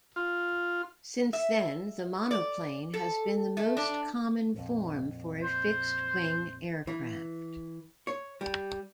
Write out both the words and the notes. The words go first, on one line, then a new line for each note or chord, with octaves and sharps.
Since then, the monoplane has been the most common form for a fixed-wing aircraft.
F4
E5
D5
A4
A3
D4
A#1 F2
C5
E3
C#5
G3